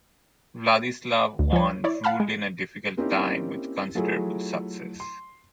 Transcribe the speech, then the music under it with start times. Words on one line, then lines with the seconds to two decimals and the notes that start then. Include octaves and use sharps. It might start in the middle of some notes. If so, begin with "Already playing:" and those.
Vladislav I ruled in a difficult time with considerable success.
1.39 D2
1.53 F3 C#5
1.84 E4 C#5 D5
2.04 F5 F#5 A5 B5 F6
2.20 G#3
2.97 A#3 C4 C#4 D#4 E4 G4
3.95 F#3 A3 E4 F4 G#4 A4
5.00 C6